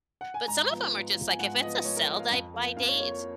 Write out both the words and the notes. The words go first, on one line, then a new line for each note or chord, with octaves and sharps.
But some of em are just, like if it's a sell dy by date,
F#5
G#5
G#2 A#5
F3 B3
G#2
F3 B3
G#5
G#2 F#5
F3 B3 D#5
D#5
G#2 C#5
A#4
F3 B3 A#4
F5
F2
F3 A#3
F2 F5
C#5
F3 A#3 C#5
C#5